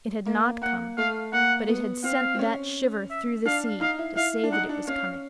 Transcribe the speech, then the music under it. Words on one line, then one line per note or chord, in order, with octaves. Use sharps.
It had not come, but it had sent that shiver through the sea to say that it was coming.
A#3
A#3 F#5
A3 F5
A#3 F#5
B3
C4 F5
C4
C#4
E5
D4 F5
D#4 F5
E4
E4 F5
D4
D#4 F#5
D4
C#4 F5